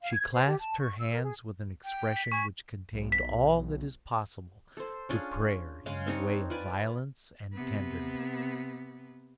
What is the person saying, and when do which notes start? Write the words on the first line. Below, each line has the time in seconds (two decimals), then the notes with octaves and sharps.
She clasped her hands with an expression which contained all that is possible to prayer in the way of violence and tenderness.
0.01 F5
0.13 G#6
0.31 C5
0.45 G4
0.60 A5
0.79 C#6
0.99 E6
1.12 A#4
1.23 G#4
1.84 G5
2.16 B6
2.32 G#5 C#6
2.93 B1
3.12 B6
4.77 A4 C5
5.09 C#4 D4 F4 G#4
5.86 C#3 G#3 F5
6.07 C4 D4 D#4 C#5
6.50 F4 B4 D5 G#5
7.53 C3 B3